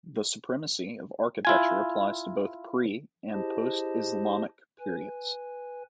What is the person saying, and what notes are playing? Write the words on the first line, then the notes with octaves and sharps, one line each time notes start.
The supremacy of architecture applies to both pre- and post-Islamic periods.
E4 F4 G#5
E4 G4 G#4 C5 D#5 A5
B4 G#5